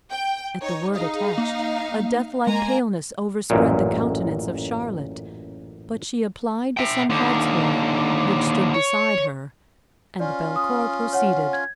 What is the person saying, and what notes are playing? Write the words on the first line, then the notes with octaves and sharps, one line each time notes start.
At the word "attached" a death-like paleness overspread the countenance of Charlotte, but she applied to some hartshorn which stood beside her, and Belcour proceeded.
G5
D#4 C#5
D#4 G#4 F5
A#3
G#3 A#3 G#5 A#5
A1 F#2 A#2
E5 G5
D#2 D3
C#5
C#4 F4 D5
D#6
C#5 F#5
G#6